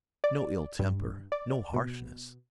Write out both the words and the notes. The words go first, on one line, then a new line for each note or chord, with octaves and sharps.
No ill-temper, no harshness.
D5
G2
D5
B2